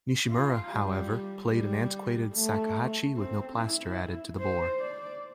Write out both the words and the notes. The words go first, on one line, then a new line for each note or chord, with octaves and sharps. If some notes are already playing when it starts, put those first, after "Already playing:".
Nishimura, however, played an antiquated shakuhachi with no plaster added to the bore.
F4
G3
G3
A3
C4
E4
C5
D5